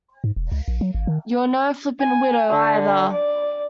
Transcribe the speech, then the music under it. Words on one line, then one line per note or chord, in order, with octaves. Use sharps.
You're no flipping widow, either!
G#2
E1
C#2
A#1
F#3
G#1
D#3
G#5
D3
D5